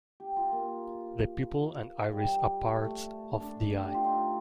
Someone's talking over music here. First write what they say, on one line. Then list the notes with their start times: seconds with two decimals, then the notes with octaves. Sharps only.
The pupil and iris are parts of the eye.
0.20 G4
0.36 F4
0.52 A#3
2.12 G3
2.76 A3
3.40 D4
3.83 G4
3.94 F4
4.04 D#4